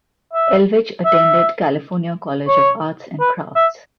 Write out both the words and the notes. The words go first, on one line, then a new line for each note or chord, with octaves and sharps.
Elvidge attended California College of Arts and Crafts.
E5
E5
C#5
B4
E5